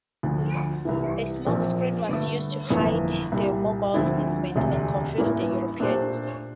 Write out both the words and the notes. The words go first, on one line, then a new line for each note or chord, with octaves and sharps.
A smokescreen was used to hide the Mongol movements and confuse the Europeans.
D2 D3 F3
C2 C3 E3
A#1 A#2 F3 C4
G2 D3 A3
G1 F2 E3 A#3
C2 A#2 G3
D2 D3 F3 C4 E4
E1 D2 C3
A1 G2 E3 A#3
A#2 A3 D4 G4 C5